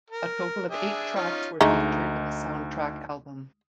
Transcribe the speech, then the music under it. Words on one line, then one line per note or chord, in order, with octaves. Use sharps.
A total of eight tracks were featured in the soundtrack album.
A#4
D4 G#4 E5
C#4 D#4 F4
D2 G#3 A3 D#4 A#5